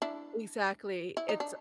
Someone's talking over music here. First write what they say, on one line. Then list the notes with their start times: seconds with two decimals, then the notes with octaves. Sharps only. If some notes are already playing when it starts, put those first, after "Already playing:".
Exactly. It's, uh
0.02 D4 E4
1.17 E4
1.29 D#4
1.40 D4